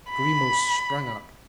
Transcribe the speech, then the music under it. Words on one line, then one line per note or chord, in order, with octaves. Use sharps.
Grimaud sprang up.
B5